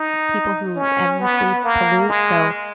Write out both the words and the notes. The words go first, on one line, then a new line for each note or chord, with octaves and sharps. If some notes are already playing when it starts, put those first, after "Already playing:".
people who endlessly pollute, so
Already playing: D#4
C#4
B3
A#3
G#3